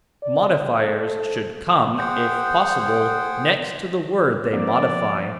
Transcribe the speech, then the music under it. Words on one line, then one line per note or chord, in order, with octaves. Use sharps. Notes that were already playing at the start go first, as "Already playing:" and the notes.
Modifiers should come, if possible, next to the word they modify.
D5
A4
G#4 C5 F#5 G5
F3 A#3 C4 D5